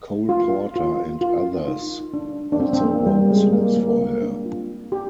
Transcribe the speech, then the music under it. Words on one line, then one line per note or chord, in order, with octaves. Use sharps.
Cole Porter and others also wrote songs for her.
F4
F4
F4
D#4
D4
D4
C4
C4
A#3
G3
G#3
A#3
A#3
C4
D4
F4
G4